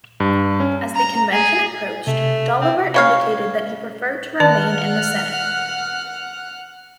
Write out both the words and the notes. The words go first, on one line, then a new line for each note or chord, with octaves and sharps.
As the convention approached Dolliver indicated that he preferred to remain in the Senate.
G2
C#4
A#5
G#4
C3 A3
C4
C#3 C#5 F5
D#3 D5 F#5 A5 F6 F#6